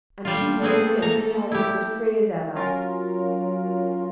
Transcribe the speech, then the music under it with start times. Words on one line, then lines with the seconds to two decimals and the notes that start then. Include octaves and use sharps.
"And two days since I was as free as ever."
0.25 G3 A3 A#3 F4 A4
0.62 B3 C4 G#4
1.02 A#5
1.52 E4 G4
2.54 F#3 C#4 F4 A#4